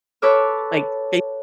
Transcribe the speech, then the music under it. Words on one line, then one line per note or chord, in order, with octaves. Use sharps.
like, they
A4 B4 C#5 D6 E6 F6